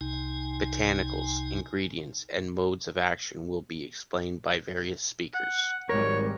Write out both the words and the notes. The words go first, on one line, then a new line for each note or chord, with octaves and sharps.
Botanicals, ingredients and modes of action will be explained by various speakers.
C2 C3 D#4 G#5
F#5
G#1 G#2 G3 A#4 C#5